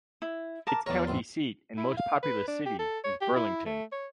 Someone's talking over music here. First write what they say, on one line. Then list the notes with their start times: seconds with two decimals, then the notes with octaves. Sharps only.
Its county seat and most populous city is Burlington.
0.22 E4
0.67 A#4 A5 D6
0.86 E2 A#4 C#5 D5
1.07 A1 F2 C6
1.77 E4
1.97 F5
2.23 B4
2.47 D4
2.66 G4
2.79 A4
3.04 C#5
3.21 G4
3.36 E4
3.66 A3
3.92 C#5